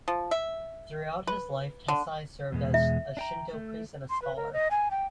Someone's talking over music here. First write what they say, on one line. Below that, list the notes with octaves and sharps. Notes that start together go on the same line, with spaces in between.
Throughout his life, Tessai served as a Shinto priest and a scholar.
F3
E5
B4
D3
E2 B2 G#3
E5
D4 G5 A#5
A3
C6
B4
A#4
D#5
G#5
G5